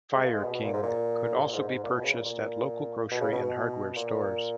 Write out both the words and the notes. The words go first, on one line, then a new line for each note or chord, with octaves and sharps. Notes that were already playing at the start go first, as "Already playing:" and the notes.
Fire-King could also be purchased at local grocery and hardware stores.
G#3
A#3
G#3
B2
B2
A#2
G#2
A#2
G#2
A#2
G#2
G#2
A#2
B2
C#3
A#2
A#2
B2
C#3
B2
B2
A#2